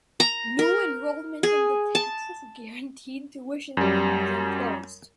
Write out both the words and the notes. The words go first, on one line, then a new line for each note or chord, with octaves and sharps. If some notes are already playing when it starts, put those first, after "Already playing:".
New enrollment in the Texas Guaranteed Tuition Plan was then closed.
A#5
A#4
G#4
A5
F#2 G3